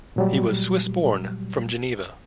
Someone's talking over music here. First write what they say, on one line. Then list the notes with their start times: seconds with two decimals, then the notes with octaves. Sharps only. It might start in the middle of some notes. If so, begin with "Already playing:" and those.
He was Swiss-born, from Geneva.
0.16 A#2 F#3 G3